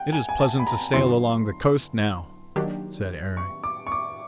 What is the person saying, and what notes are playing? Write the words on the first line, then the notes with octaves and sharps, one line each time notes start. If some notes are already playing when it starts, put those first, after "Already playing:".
"It is pleasant to sail along the coast now," said Eric.
Already playing: F#5 G5
G#5
G#5
A5
B5
A#5
F#2 D3 F#3 B3 E4 C6
D#3 F#3 A#3 D4 G4
C#6
D6
C#6
D6